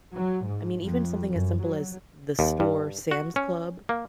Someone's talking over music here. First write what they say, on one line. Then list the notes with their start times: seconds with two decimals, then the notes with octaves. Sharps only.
I mean, even something as simple as the store Sam's Club,
0.13 F#3
0.47 G#2
0.83 F2
1.29 F#2
1.62 F#3
2.39 D#2
2.60 G2
3.11 F#4
3.36 C#4
3.89 A#3